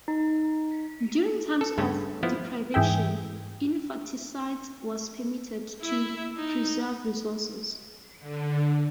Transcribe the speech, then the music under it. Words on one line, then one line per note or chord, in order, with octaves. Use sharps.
During times of deprivation, infanticide was permitted to preserve resources.
D#4
A4
G2 C#3 A3 C#4
F3 B3 E4
G#2 E3 G#4 E5 G5
E4 E5
D#4
D3